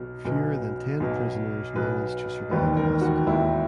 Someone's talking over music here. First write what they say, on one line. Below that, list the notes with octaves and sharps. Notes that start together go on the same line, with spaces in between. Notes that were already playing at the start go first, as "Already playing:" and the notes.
Fewer than ten prisoners managed to survive the massacre.
Already playing: B1 B2
B1 B2
B1 B2
B1 B2 B4
E1 D#2 D#3 B4
A#4
F#4
E1 D#2 D#3 E4